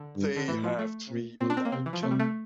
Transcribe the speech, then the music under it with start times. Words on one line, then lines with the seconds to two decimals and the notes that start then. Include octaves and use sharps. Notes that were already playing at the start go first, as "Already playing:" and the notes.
They have three adult children.
Already playing: D3
0.16 G2
0.36 D3
0.48 A2 E3
0.64 F3
0.79 A3
1.11 A#2
1.41 A#2 C4
1.50 D4
1.57 C4
1.65 A#3
1.72 C3 C4
1.86 E3
1.93 F3
2.03 C3 A3
2.11 G3
2.19 A3